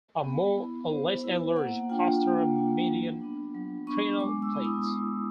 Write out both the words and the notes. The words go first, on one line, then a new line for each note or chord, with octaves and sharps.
A more or less enlarged postero-median preanal plate.
B3
E4
B3 C5
E4
A#3 F#5
D4 F4 G5
A#3
D4 F4
F#3
B3 D4
F#3
B3 D4 C#6
G#3 D6
E6
B3 E4
D#6
G#3 E6